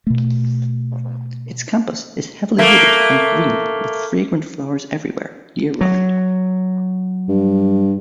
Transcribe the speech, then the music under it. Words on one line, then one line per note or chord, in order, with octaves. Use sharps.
Its campus is heavily wooded and green, with fragrant flowers everywhere year-round.
B2 A3
A3 A#3
F#3
G2